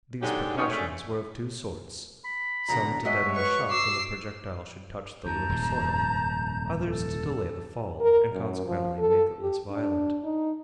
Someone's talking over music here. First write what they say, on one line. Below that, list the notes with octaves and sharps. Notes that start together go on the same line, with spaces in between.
These precautions were of two sorts, some to deaden the shock when the projectile should touch the lunar soil, others to delay the fall, and consequently make it less violent.
G#2 D3 F#3 D#4 G4
D#2 G#2 D#3 C#4
G#3 A3 C#4 D4
B5
E2 B2 D3 A#5
G#3 F#4 C#5 D#5 E5
B4 C#6
D6 E6 C7
D#2 A5 A#5 G6
D#1 F2 G#2
A4
A#4
F#2
F3
A4
G4
D4
D#4